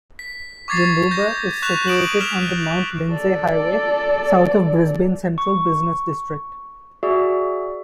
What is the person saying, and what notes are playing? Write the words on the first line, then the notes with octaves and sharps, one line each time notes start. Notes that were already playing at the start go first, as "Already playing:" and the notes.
Jimboomba is situated on the Mount Lindesay Highway, south of Brisbane central business district.
B6
C#6 D6 G#6 A6 C7
G6 A#6
C#6 F#6 B6 E7 F7
D#6 D7 E7 F#7
F6 B6 E7 F7
A4 D5
C#6
F#4 G#4 D5 E5